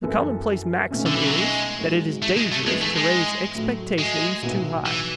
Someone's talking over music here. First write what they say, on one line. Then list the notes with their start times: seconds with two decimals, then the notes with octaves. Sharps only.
The commonplace maxim is, that it is dangerous to raise expectations too high.
0.03 F#2 E3 B3 F#4 A4
0.91 B1 B2 A3 C#4
1.06 D3
1.16 E3
1.25 F#3
1.35 G#3
1.78 G#1 G#2 F#3
2.22 A3
2.37 G#3
2.52 A3
2.66 G#2 E3 G#3 B3
2.81 A3
2.96 G#3
3.55 A2 F#3 A3
3.99 G#3
4.42 B1 A2 F#3 B3 F#4
4.86 E3